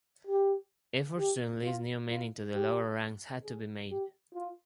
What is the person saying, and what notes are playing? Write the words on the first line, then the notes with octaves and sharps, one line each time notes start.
Efforts to enlist new men into the lower ranks had to be made.
G4
G4
F4
F4
G4
G#4
G4
F4